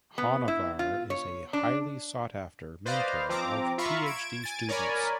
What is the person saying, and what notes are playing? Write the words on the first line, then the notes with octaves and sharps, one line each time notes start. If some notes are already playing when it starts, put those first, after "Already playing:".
Honavar is a highly sought after mentor of Ph.D. students.
B3
E4
F4
C#5
D4
B4 C5 D5 D#5 F5 F6
F3 C4 A#5 D6
F4 E5 F5 A#5 B5 C#6
G#6 D7 E7
G#5 A6 D7
A#4 C#5 D5 G#5 B5